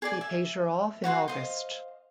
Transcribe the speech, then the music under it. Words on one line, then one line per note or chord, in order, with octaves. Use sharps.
He paid her off in August.
G#4 D5 G#5
E5
F#4 B4 G#5 C6
C5 D#5 F5